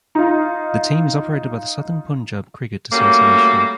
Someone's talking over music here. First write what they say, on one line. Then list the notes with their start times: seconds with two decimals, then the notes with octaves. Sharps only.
The team is operated by the Southern Punjab Cricket Association.
0.15 D#4 F4
2.92 G3 A3 A#3 C#4 F#4